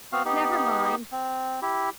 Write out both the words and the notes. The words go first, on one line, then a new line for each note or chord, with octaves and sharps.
Never mind!
B3 C4 F#4 F5
B3 D#4 G4
C4
E4 G4